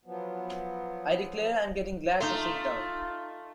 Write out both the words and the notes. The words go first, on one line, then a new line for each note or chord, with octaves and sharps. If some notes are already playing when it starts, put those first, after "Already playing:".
I declare I’m getting glad to sit down.
F3 F#3 B3
A3 D#4 F4 F5 C6